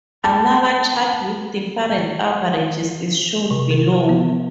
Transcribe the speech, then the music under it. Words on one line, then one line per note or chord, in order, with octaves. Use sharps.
Another chart with different averages is shown below.
A5
C3
A#4
F3
B3